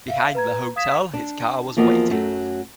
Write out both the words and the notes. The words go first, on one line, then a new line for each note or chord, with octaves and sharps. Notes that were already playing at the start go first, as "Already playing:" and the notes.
Behind the hotel his car was waiting.
E5 F5
B4 A#5 G#6
F5 D#6 G#6 B6 E7
D4
E2 F3 A#3 F#4 D5 D#5
F#2 F#3 A3